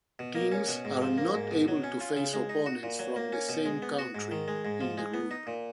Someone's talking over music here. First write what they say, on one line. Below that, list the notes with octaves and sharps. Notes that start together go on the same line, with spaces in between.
Teams are not able to face opponents from the same country in the group.
B2
A#3
C#4
B2
G#2
F3
A#3
G#2
B2
F#3
C#4
F4
C#3
G#3
D#4
F#4
A#2
F#3
A#3
C#4
B2
G#3
B3
F#4
G#2
D#3
G#3
G#2
F3
G#3
B3
D#4
A#2